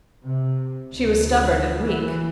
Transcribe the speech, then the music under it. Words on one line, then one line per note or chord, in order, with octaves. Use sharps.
She was stubborn and weak.
C3
D2
E3